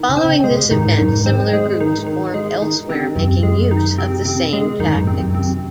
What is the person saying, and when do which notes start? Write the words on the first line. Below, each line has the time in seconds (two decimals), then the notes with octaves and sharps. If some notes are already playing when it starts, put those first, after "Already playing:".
Following this event, similar groups formed elsewhere making use of the same tactics.
Already playing: D#3
0.09 C#3
0.17 C4
0.44 G#3
0.51 C3
0.71 G#2 D#3
0.99 F#2 D#3
1.12 G#2
1.26 C4
1.53 G#3
1.80 D#3
2.07 D#3
2.34 G#3
2.62 D#3
2.90 C3
3.16 F#2 C3
3.43 G#3
3.71 D#3
3.98 C3
4.25 C3
4.53 G#3
4.80 F#2 D#3
4.87 G#2
4.94 F#2
5.07 C3
5.21 F#2
5.35 C3